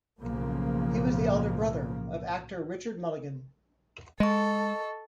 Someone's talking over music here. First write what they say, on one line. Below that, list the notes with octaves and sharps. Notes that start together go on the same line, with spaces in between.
He was the elder brother of actor Richard Mulligan.
B1 A2 C#3 F3 A#3
G#3 A4 D#5 C#6